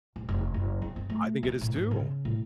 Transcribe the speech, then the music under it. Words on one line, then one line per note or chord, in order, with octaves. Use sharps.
I think it is too.
D1
F1
F#1
C4
G1
A3
D2
A2
G#2
C#3
A2